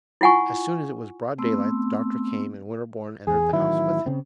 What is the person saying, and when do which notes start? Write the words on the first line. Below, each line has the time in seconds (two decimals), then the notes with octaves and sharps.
As soon as it was broad daylight the doctor came, and Winterborne entered the house with him.
0.21 E4 F4 F#5 G#5 C#6
1.38 A3 B3 C4 C6 E6
3.27 E2 G#4
3.53 A1 D#3 F#3 E4
4.06 C#3 C4